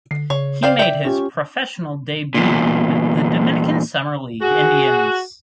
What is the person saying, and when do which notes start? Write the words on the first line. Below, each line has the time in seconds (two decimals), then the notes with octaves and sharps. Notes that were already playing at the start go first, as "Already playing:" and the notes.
He made his professional debut with the Dominican Summer League Indians.
0.11 D3 C7
0.30 C#3 C#5
0.63 C5 D5 F5 G5
0.79 D5 E5 G5
1.05 C#4 F4 G4 C#6
2.34 E2 A#2
4.42 F#4 G#4